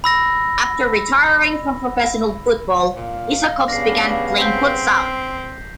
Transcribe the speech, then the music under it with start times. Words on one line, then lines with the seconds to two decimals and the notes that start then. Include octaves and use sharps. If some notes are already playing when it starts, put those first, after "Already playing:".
After retiring from professional football Isakovs began playing futsal.
0.04 B5 E6 A#6
2.96 A#2 F5
3.68 G2 C#3 B3 D4 A#6 C7
4.38 C4 G6 B6 C7